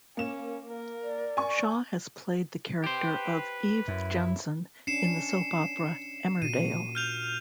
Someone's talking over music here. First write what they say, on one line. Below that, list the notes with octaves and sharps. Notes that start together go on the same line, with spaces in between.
Shaw has played the character of Eve Jenson in the soap opera "Emmerdale".
A#3 C#4 E7
A#4
D5
G#5 C#6
G4 B4 C5 G5
F#2 E4
C#4 D4 C7 C#7 E7
A#2 F#4 D#7
F6 G6 F7